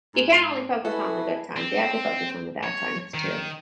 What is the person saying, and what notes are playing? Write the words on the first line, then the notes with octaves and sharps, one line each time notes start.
you can't only focus on the good times, you have to focus on the bad times, too.
G#2
E4 F#4 G#4 A4 B4
C4
C#5
D#3